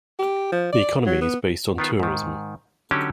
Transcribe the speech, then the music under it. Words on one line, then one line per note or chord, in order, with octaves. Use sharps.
The economy is based on tourism.
G4
F3
D5
F#3
B3
D#3 B3 F4
G#2 D#3
D3 F#3 C#4 D#4 F#4 G4